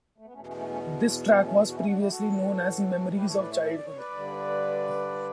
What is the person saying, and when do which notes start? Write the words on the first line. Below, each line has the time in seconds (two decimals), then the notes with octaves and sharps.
This track was previously known as "Memories of Childhood!".
0.18 A3
0.25 B3
0.33 E2 A3 C#4
0.36 B2
0.44 A3 C#4
0.56 A3 C#4
0.68 A3 C#4
1.27 B3
1.43 A3 C#4
1.68 F#4
1.74 C#4 E4
1.86 D4 F#4
1.98 E4 G4
2.10 F#4 A4
2.21 A2 E3
3.16 G4 B4
3.28 A4 C#5
3.39 B4 D5
3.51 C#5 E5
3.63 E5
3.75 D5
3.86 C#5
3.97 B4 D5
4.10 G2 D3